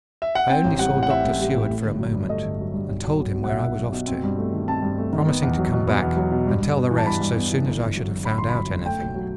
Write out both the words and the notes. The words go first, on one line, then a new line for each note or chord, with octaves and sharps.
I only saw Dr. Seward for a moment, and told him where I was off to, promising to come back and tell the rest so soon as I should have found out anything.
E5
F#5
C4 G5
A1
G3 F#5
A2
F#5
C4 E5
A1
G3
A2
A3
G1
F#3
G2
A3 D#5
G1
F#3
G2
B1
B1
F#3
B2
F#5
B1 E5
B1
F#3
B2
C4
G2
A3
D#3
C4 A5
G2
A3
D#3
B3
E2
F#3
B2
B3
E2
F#3
B2
G2
G2
B3
E3
A5
G2 B5
G2
B3
E3
G1
G1
F#3
F#2
G1 B5
G1 C6
B5
F#3
F#2
A3 G5
B1
F#3